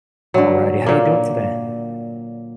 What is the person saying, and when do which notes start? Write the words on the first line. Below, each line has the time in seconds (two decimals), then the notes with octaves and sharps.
Alrighty. How you doing today?
0.34 D3 F#3
0.86 A#2 A#3